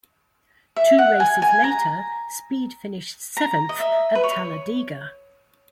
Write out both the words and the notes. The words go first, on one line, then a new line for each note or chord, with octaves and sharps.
Two races later, Speed finished seventh at Talladega.
E5
F#5
G#5
G#5
A#5
A#5
D#5
E5
B4
C#5